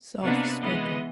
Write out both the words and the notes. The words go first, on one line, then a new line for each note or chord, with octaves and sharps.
Soft spoken.
C3 A#3 B3 D4 D#4 F#4
E3 G#3 B3 D#5